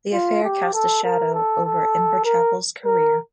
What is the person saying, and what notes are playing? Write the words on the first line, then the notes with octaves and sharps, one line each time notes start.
The affair cast a shadow over Inverchapel's career.
F4
G4
A4
A#4
A4
A4
A#4
A#4